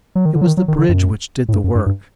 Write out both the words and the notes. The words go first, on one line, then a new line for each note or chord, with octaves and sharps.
It was the bridge which did the work.
F#3
D#3
D3
F#3
D#3
F#3
D#3
D3
F#2
A2
G2
F#2
G2
G2